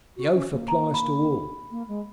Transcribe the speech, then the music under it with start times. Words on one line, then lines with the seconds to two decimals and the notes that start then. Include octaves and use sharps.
"The oath applies to all."
0.17 F#4
0.35 C#4
0.52 A#3
0.68 A#5
0.94 B5
1.71 A#3
1.88 G#3